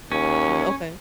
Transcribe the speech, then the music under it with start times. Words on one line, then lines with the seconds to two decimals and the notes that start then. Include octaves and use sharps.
Mm, okay.
0.12 D#2 C#4